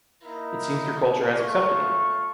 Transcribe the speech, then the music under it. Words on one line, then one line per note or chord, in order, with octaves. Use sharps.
It seems your culture has accepted me.
A#3 D#4 E4 A#4
A3 F4 C#6